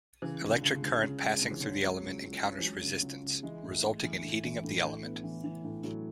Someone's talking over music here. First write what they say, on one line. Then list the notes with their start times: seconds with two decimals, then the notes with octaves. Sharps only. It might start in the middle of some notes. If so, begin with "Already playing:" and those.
Electric current passing through the element encounters resistance, resulting in heating of the element.
0.22 C#3 E3
0.42 C#2
0.49 D3
0.62 C#3
0.75 D3
0.82 C#2
1.02 C#3 C#4
1.23 G#3
1.42 C#2 D3
1.51 E3
1.60 D3 C#4
1.82 F#3 G#3
2.03 C#2
2.22 C#2
2.43 C#4
2.58 E3
2.63 F#3 G#3
2.83 C#3
3.02 C#2
3.23 C#3
3.43 E3 G#3
3.63 A2
3.84 A2
4.03 E3
4.24 A2
4.44 E3
4.64 A2
4.84 A2
5.04 B3
5.24 E3
5.44 E3
5.64 A2
5.83 A2 F#3